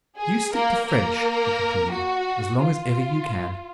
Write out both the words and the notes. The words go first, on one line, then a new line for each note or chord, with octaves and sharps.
You stick to French," he continued, "as long as ever you can.
G#4
A#3 A#4
A#3 A#4
F#4
F4